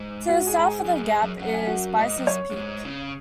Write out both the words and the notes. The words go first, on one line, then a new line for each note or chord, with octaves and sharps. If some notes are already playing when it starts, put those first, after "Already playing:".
To the south of the gap is Spicers Peak.
Already playing: G#2
F#4 F#5
G#4 G#5
A#5
G#4 G#5
F#2
F#2
G#2
F#2
F#2 F#5
G#5
F#4 F#5
G#2 D#5
F#2
C#5
F#2
G#2
C#3